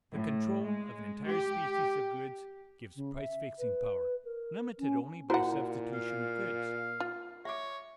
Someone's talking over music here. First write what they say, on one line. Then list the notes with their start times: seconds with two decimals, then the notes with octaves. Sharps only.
The control of an entire species of goods gives price-fixing power, limited only by substitution of goods.
0.12 A2
0.64 G#3
1.28 G4
2.95 C#3
3.15 E5
3.58 B4
4.24 A#4
4.79 C#4
5.30 A#2 E4 F#4 C5 F#5 A#5
5.94 F5
7.00 F4
7.45 C#5 E5 D6